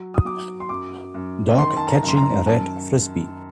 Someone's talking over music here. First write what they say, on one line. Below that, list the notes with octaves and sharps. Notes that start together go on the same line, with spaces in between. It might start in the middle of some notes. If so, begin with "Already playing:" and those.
Dog catching a red Frisbee.
Already playing: F#3
D#6
F#3 D6
C6
F#2 D6
F#2
D#3 C6
A5
A#5
F#2
C6
A#5
F#2 A5